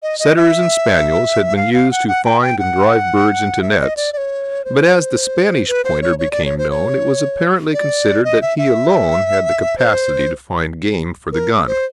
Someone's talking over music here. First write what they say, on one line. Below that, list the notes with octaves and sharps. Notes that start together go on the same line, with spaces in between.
Setters and Spaniels had been used to find and drive birds into nets, but as the Spanish Pointer became known it was apparently considered that he alone had the capacity to find game for the gun.
D#5
D#5
E5
F5
F5
F#5
F#5
G5
G5
F#5
E5
D#5
D5
D5
C#5
C5
B4
C5
C#5
C#5
D5
C#5
C5
C#5
D5
D#5
E5
E5
C5
A#4
C5